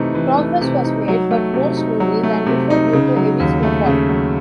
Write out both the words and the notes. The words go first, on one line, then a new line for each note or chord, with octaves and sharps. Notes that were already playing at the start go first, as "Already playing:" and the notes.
Progress was made, but more slowly than before due to heavy snowfall.
Already playing: C3 E3 A3 D#4
E3
A3
C3
D#4
F#3
A3
C3
D#4
F#3
A3
C3
D#4
C#3
F#3
D#2
A3
C#3
F#3